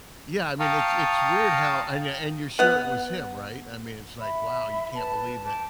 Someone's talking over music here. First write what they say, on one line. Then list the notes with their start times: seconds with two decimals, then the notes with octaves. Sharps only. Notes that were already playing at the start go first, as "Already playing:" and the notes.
yeah, I mean, it's it's weird how and and you're sure it was him, right? I mean, it's like, wow, you can't believe it,
0.60 F5 G5 A5 A#5 C#6 D#6
2.59 B3 F#5
4.20 E5 B5
4.93 B4 A5
5.44 G5 A5 D6